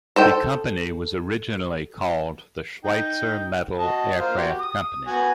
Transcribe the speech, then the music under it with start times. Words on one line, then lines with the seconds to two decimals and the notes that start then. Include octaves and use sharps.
The company was originally called the Schweizer Metal Aircraft Company.
0.16 A4 C5 G5
2.84 D#4 G5
3.78 F#4 D#5 A5
4.18 A#3 F4 C5
4.37 F#4 G4
4.58 D#6
5.07 B3 F#4 G#5